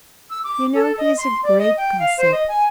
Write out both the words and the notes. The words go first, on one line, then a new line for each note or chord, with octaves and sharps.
You know he is a great gossip.
E6
D6
A4
D#5
C6
D5
D#5
G5
F5
C5
D#5
G#5